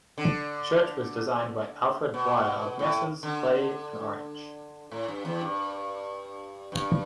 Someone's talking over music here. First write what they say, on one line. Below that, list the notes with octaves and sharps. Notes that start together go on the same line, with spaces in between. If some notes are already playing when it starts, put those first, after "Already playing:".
The church was designed by Alfred Bryer of Messrs. Leigh and Orange.
D3
B2
A2
D3
A2
G2
E2
G2
G2